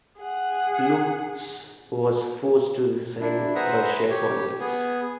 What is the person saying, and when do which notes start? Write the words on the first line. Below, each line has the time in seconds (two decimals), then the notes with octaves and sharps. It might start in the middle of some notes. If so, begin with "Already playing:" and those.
Loucks was forced to resign by shareholders.
0.19 G#4 F#5
3.21 D4 E4
3.55 G#4 B4 C5 E5 F#5 A#5
4.10 G4 C#5
4.60 B3 G#4